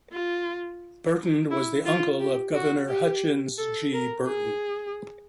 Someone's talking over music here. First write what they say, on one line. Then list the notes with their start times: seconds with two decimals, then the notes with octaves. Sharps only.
Burton was the uncle of Governor Hutchins G. Burton.
0.12 F4
1.51 E4
1.85 F4
2.20 G4
2.55 F#4
2.88 G4
3.58 A4
3.93 A#4
4.27 G#4